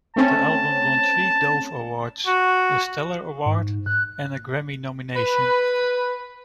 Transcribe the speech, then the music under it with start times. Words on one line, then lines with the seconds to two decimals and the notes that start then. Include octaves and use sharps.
The album won three Dove Awards, a Stellar award and a Grammy nomination.
0.16 A3 C4 C#4 A5
2.27 F#4
3.46 G#2
3.86 F#6
5.16 B4